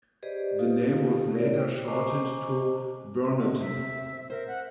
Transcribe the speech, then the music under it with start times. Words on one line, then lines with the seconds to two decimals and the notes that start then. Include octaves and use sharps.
The name was later shortened to "burnotan".
0.23 G4 G#4 B4 C5 D5 D#5
0.59 D#4 F4 G4 A4 F5
1.35 E4 A#4 C#5 D5
1.56 C5 G5
1.85 C5 D#5 G#5 A#5 C#6 D6
3.39 D3 D#4 D5
3.60 C3 E5
4.30 A#4 C5 E5
4.48 F#5